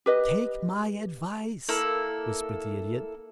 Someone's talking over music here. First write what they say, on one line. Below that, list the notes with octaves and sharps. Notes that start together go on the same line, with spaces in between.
"Take my advice," whispered the Idiot.
G4 B4 D#5
A#3 E4 A4